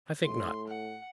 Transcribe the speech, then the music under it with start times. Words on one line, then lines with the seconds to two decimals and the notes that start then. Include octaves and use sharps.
I think not.
0.23 A2 C6
0.67 F#5